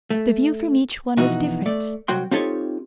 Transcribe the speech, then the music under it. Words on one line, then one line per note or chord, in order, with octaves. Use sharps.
The view from each one was different.
A3
F2 B2 E3 D#4 F#4
A3 D5
C2 F#3 F#4 G5 C6
C4 D#4 F4 G4 A4 C#5